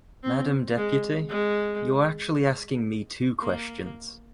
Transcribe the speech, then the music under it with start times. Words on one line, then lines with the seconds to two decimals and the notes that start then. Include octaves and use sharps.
Madam Deputy, you’re actually asking me two questions.
0.23 C4
0.77 G#3
1.29 G#3
3.40 A#3